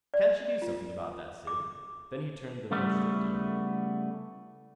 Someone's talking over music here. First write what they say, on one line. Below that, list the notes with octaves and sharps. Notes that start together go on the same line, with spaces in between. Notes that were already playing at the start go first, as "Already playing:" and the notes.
"Can't you do something about that, Sid?" Then he turned to von Schlichten.
D5
F4
D6
C#3 G3 A3 B3 E4